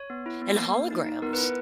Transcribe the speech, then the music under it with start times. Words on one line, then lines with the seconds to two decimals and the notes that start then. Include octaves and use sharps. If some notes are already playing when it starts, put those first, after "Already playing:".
And holograms.
Already playing: C#5
0.10 B3
0.26 E4
0.42 B3
0.58 A#3
0.75 A#3
0.91 D#4
1.06 D#4
1.22 B3 A#4
1.33 B4
1.38 E4
1.43 B4